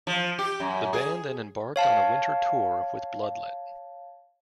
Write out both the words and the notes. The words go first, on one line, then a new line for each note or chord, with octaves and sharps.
The band then embarked on a winter tour with Bloodlet.
F3
G4
F#2
G#4
C#5 F5 A5